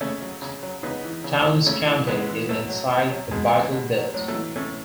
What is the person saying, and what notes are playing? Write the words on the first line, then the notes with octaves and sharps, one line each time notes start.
Towns County is inside the Bible Belt.
C#3 A3 C#4
F#3
C#3
F#3
C#3 B3 D#4
E3
C#3
E3
C#3 A3 C#4
E3
C#3 G#3 B3
E3
B2 F#3 A3
F#3
B2
F#3
B2 G#3
F#3
B2
F#3
A2 F#3
F#3 A3
E3
A2 A3 C#4